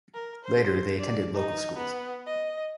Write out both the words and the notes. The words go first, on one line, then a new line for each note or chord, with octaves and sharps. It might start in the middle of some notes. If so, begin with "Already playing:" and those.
Later, they attended local schools.
A#4
C5
D5
D#4
B3
D#5